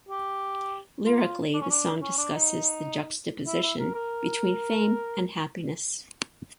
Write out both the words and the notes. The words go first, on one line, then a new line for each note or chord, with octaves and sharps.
Lyrically the song discusses the juxtaposition between fame and happiness.
G4
F4
D4
C#4
D4
C#4
D4
D#4
E4
E4
A#4
A#4